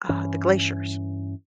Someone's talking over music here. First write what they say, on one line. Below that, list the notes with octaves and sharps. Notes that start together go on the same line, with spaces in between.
uh, the glaciers.
G2 E3 C#4